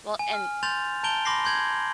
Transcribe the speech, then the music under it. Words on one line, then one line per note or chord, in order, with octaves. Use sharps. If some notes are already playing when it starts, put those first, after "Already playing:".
Well and
G#5
F6
C6 G6 A6 F7
A5 A#5 G6 D7 F7 G7
B5 C6 D6 A#6 C7
C6 G6 G#6 F#7